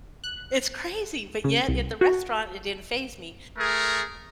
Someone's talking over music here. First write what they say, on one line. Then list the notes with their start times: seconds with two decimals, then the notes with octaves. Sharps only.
It's crazy, but yet at the restaurant, it didn't faze me.
0.24 F#6
1.44 C#3
1.68 C2
2.01 F#4
3.58 A3 G#4 A#4